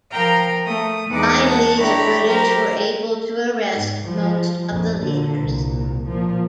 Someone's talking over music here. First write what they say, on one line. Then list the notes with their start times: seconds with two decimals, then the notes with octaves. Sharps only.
Finally the British were able to arrest most of the leaders.
0.12 F3 A#4 F5 G5 A#5 F6
0.65 A3 D#6
1.10 E2 G#3 D#4 B4 F#5 D6
1.45 F#5 A5
1.79 D4 E4 G4 C#5 A#5 B5
2.27 F#3 G4 A#4 C5 F6
3.72 G#2
4.04 F3 G3
4.71 A#1 F2
4.99 A#2 D3
5.40 C2 A#2
6.08 A#2 F3